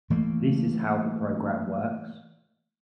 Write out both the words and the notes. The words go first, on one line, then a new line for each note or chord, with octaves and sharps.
This is how the program works.
E3 A3 A#3